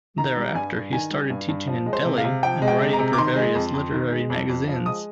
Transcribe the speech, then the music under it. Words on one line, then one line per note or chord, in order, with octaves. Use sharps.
Thereafter he started teaching in Delhi and writing for various literary magazines.
D#3 A#5
G3
G2 G#5
G2
D#3 G#5
G3
G2
G2
F3
G#3
C5
C3
F5
C3
F3 G5
G#3
G5
C3
A#5
C3
D6
D#3 C6
G#3
F2
F2
D#3
G#3
F2
F2
F3
G#3 D#6